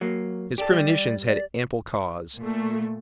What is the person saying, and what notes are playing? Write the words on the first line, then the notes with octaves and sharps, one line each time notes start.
His premonitions had ample cause.
F#3 A#3
G4 A4 D5
G3
D5
A#2 A3